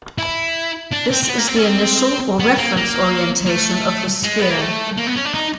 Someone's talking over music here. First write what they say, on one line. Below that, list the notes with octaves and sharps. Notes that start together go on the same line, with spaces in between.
This is the initial or reference orientation of the sphere.
E4
D4
C4
C4
B3
A#3
C4
C#4
C4
B3
A#3
A#3
A#3
A3
G#3
B3
A#3
A3
A#3
B3
C#4
D4
D#4